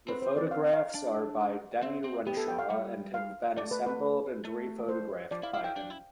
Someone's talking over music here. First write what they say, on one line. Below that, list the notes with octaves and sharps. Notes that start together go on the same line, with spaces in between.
The photographs are by Denny Renshaw, and have been assembled and rephotographed by him.
C4 B4
C5
D5
F5
F5
D4
C4 E5
C4
B3 G4
A4
G5
F5
G3
F5
A3 D5
B4
B4
A3
C5
F3 D5
E4 F5
E4 F5
E4 G5
D4
E4